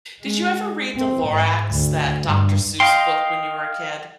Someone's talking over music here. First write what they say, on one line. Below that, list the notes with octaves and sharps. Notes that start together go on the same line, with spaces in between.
Did you ever read the Lorax, that Doctor Seuss book when you were a kid?
G#3
C4
G#2
D2
G2
D#5 F5 G5 C6